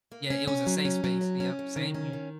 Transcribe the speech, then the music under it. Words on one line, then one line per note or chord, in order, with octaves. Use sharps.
Yeah, it was a safe space yep, same here.
A#3
C#4
C#4
F#3
C#4
F#3
C#4
C#4
F#3
D#3
C#4
D#3